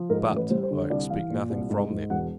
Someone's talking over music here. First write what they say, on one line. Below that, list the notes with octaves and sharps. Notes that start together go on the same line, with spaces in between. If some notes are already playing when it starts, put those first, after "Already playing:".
But, I expect nothing from them.
Already playing: F3
G#2 A#4
A1
B4
G3 C5
C5
D3
C#5
C2 D5
E3 F5
A#2
C2
G#2
G#2
E1 F#5